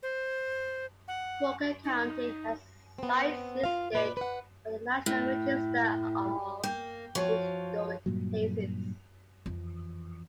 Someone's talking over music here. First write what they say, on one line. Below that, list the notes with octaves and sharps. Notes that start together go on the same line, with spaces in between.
Walker County has sites listed on the National Register of Historic Places.
C5
F#5
D#4
B3 C4
F4 F5
A#2 B4 D5
B4 F#5
A2
A#3 G5
F3 F#4 C#5 C#6
G2 A#2 F#3
F2 E3